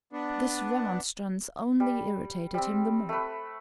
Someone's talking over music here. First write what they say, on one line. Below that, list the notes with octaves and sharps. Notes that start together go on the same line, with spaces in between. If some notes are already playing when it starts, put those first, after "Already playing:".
This remonstrance only irritated him the more.
B3 D4
G3
G3 C4
A3 B4